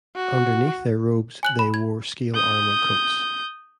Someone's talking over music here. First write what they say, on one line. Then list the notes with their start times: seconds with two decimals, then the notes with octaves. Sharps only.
Underneath their robes they wore scale armour coats.
0.16 F#4
1.43 G#5 F#6 F#7
1.59 B5
1.74 G#6
2.34 D#6 G6